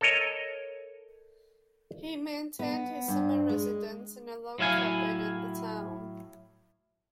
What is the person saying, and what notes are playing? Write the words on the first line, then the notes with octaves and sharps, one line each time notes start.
He maintained his summer residence in a log cabin in the town.
A4 A#4 C#5 D#5
B3
G2
G#3
A2 F#3 E4 F5 G#5